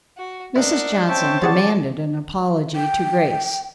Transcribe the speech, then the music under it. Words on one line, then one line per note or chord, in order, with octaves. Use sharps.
Mrs. Johnson demanded an apology to Grace.
F#4
D4 E4 A#4 D#5 F#5
C4 C#4 E5 G5 A5
F3 G#4 D5 F#5
G5